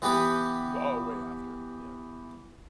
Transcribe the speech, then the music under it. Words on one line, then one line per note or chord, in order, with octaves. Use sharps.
W oh, way after. Yeah.
E3 B3 G4 B4